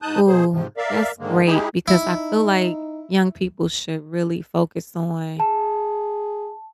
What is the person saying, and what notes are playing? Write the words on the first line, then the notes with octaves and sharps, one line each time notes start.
Ooh, that's great because I feel like, young people should really focus on
G#2 D#4 A5 D#6 F#6 G6
B2 G#4 C5
G#2 C3 F3
A#4 D5 E5 F5
G#2 D3 D#3 G#3 A#3
G#3 D#4 E4 G4 G#4
D#4 E4
G#4 A5